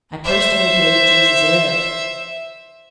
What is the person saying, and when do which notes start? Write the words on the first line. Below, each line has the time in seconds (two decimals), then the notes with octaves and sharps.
I personally believe Jesus lived.
0.24 C5 E5